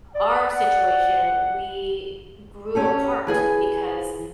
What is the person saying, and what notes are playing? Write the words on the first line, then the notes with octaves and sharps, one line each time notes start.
our situation, we grew apart because
D5
F#5
C#4 G4 A4
E3 G#4 G#5